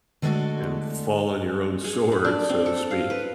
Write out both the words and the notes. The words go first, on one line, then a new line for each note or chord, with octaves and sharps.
and fall on your own sword, so to speak.
D3 G#3 A3 D4 F#4 A4
G#4
B5
D4
C4
A4
F5
B4